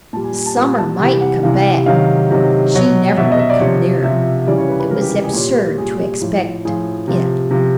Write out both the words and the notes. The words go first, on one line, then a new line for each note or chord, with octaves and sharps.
The summer MIGHT come back; she never would come nearer: it was absurd to expect it.
A#2 G3 A5
G#5
G#5
A5
A#2 G3 A#5
A5
C3 E3 G3 G5
F#5
C3 E3 G3 F5
C3 D#3 F#3 F5
C3 D#3 F#3
B2 F#3
B2 F#3 E5
D#5
E5
D5
C3 F3 C#5
C3 F3 E5
C#3 E3 G3 D5
C#5
B4
B4
C#3 E3 G3 A#4
G4
G4
G#4
A#2 G3 C#5
A#2 G3 G#4
A2 F3
A2 F3 G#4
C3 F3
C3 F3